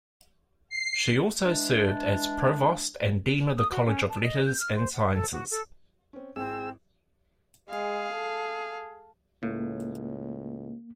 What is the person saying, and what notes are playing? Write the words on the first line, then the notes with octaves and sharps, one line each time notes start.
She also served as provost and dean of the College of Letters and Sciences.
C7
E3 G#3 D4
D#6
F#4
C#4
A5
D#5
G6
F6
C5
F#5
A4
F#4
A4
C4 C#4
G#1 C4 E4 G#4 E6
G#3 G#4 F5
A4
C#2 A2 A#3